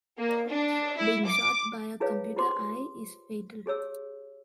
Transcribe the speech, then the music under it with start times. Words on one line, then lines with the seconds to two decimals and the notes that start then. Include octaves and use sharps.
Being shot by a computer eye is fatal.
0.18 A#3
0.49 D4
0.97 E4
1.27 D6
2.00 E4 F4 G#4 B4 C#5 F5
2.36 F4 G4 C5 C6 D6
3.66 G4 G#4 C#5 E6